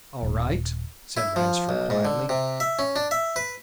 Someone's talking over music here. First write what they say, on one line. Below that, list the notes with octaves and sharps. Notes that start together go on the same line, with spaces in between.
"All right," said Ransford quietly.
D#1
E4
F3
B1
G#2
D3
C3
E5
C#4
D4
E5
B4